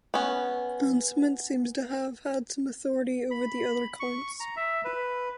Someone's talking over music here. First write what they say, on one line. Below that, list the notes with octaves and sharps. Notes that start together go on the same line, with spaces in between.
Ansemund seems to have had some authority over the other counts.
B3 C#4
B5
C#6
A#5
E5
B4